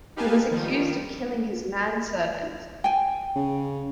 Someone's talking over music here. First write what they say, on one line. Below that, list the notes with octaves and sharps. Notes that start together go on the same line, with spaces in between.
He was accused of killing his manservant.
D#4 G4 B4 F5 G#5 A5
D#3 F3 G3
G5 G#5
C#3